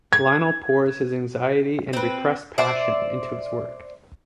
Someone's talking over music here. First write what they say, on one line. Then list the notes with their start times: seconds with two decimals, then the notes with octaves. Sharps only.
Lionel pours his anxiety and repressed passion into his work.
0.13 G#6
1.93 C4 B4
2.58 C5 D5 E5